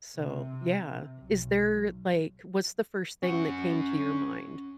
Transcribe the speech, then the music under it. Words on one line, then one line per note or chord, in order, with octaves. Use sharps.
so, yeah. Is there, like what's the first thing that came to your mind?
C3
B1
C#4 F#5